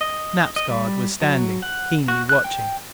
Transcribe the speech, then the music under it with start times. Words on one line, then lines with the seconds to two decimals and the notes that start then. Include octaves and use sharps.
Snap's guard was standing, keenly watching.
0.01 D#5
0.56 D#5
0.70 G3
1.21 F#3
1.62 F#5
2.08 F#4
2.29 F#6
2.44 G5